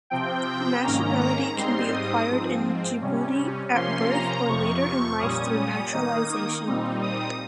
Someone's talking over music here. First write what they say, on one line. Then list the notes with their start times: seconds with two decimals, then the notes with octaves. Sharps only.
Nationality can be acquired in Djibouti at birth or later in life through naturalization.
0.10 C3 F3 C4 G5
0.83 G#2 D#3 A#3 C#4 A#5
1.56 G#2 G3 C4 D#4 C6
1.93 D#6
2.29 G#2 F3 C4
3.02 C3 G3 C#4
3.74 C3 F3 A#3 C#4 C6
4.10 A#5
4.47 F2 C3 F3 C#6
5.20 A#2 G3 C#4 D#6
5.93 D#3 A#3 D#4
6.65 A#2 G3 C4 D#4
7.02 D#6